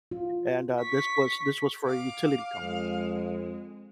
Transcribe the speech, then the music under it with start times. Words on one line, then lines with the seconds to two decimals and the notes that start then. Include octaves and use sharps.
and, uh, this was this was for a utility company,
0.11 F4
0.79 C#6 B6
1.86 F5 D6
2.59 F2 G#3